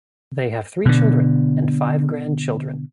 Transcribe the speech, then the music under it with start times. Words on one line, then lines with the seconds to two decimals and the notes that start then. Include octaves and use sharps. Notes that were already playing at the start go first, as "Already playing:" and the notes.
They have three children and five grandchildren.
0.85 B2 D3